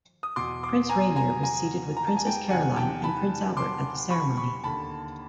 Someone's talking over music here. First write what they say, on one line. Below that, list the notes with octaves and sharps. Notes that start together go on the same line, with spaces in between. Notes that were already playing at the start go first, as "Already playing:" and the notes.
Prince Rainier was seated with Princess Caroline and Prince Albert at the ceremony.
D#6
E2 B2 C6 D6
C6 D6
G#5 A#5
G#5 A#5
G#5 A#5
A#5
A5
G#5
G5 A5
E2 C3 D#3 F#5 G#5
G5 A5
A5 B5
C6 D6
B5 C#6
B5 C#6
D#2 D3 A5 B5